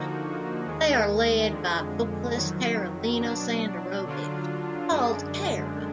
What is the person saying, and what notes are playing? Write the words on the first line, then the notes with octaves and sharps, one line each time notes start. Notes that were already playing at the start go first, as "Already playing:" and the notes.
They are led by vocalist Keralino Sandorovich, called Kera.
Already playing: D3 F3 A#3 D#4 F#4
D#2 D#3 G#3
F2 D3 G#3
F2 D#3 F#3
B2 F#3 D4
D3 F#3 D4 F4
F#2 D3 G#3 D4